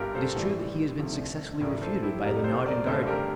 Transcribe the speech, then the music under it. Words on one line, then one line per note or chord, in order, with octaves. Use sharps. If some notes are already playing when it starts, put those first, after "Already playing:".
It is true that he has been successfully refuted by Lingard and Gairdner.
Already playing: G1 G2 D3 F4 G4 A4 A#4
A4 C5
A#1 A2 E3 G3
C2 C3 F3 A3
A1 A2 F3 A3 A#4 D5
A4 C5
E4 G4
F2 C3 G3 G4 A#4
A4 C5
A#4 D5
A1 G2 D3 A3 A4 C5
G4 A#4